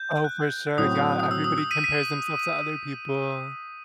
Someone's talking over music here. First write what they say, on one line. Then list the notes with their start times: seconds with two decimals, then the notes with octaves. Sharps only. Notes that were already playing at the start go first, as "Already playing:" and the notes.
Oh, for sure, yeah everybody compares themselves to other people.
Already playing: G6
0.24 F#6
0.78 A2 F#3 C4 F#4 D#6
1.19 D#6
1.31 E6
1.44 D#6
1.58 E6
1.71 B6 D#7
1.84 B6 D#7